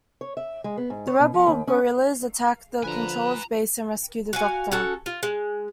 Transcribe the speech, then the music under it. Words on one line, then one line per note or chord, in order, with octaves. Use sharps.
The rebel guerrillas attack the Controller's base and rescue the Doctor.
C#5
E5
G#3
B3
G#2
C#5
B2
F3
D#2
C#4
D3 F3 B4 G#5 A#5
F#4 F5 G#5
C#4 F#4 A4
F4
G#3